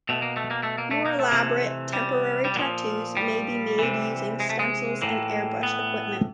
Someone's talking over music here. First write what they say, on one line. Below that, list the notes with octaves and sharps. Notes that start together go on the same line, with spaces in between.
More elaborate temporary tattoos may be made using stencils and airbrush equipment.
B2 A3
A#3
A3
A#3
A3
A#3
A3
A#3
A3
C3 E3
G3
G3
A#2 F3 F#3
G3
C3 E3
G#3
A3
G#3
A2 E3 A#3
B3